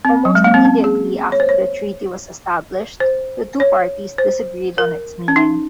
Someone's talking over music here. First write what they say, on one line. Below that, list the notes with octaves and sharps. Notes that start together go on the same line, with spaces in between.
Almost immediately after the treaty was established, the two parties disagreed on its meaning.
C4
F#3
G#3
A#3
C4
C#4
G#4
C#5
C5
C#5
C5
C#5
C5
A#4
C#4
D#4